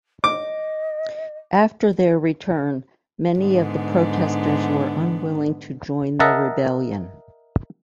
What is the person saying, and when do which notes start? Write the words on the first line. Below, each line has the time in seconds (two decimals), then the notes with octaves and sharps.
After their return, many of the protesters were unwilling to join the rebellion.
0.24 D#5 D6
3.39 G#2 D3 B3
6.20 A#4 D#5 E5 F#5 A5